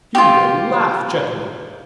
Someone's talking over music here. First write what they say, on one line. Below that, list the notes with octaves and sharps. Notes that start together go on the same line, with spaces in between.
You will laugh, gentlemen.
F4 G4